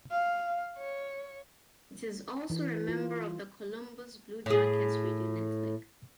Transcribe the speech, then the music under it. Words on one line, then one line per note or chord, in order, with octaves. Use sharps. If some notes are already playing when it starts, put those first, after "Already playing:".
It is also a member of the Columbus Blue Jackets Radio Network.
F5
C#5
E3
F4
A2 G#4